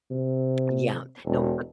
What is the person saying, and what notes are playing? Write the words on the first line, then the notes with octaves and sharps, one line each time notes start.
Yeah. No, uh
C3
E1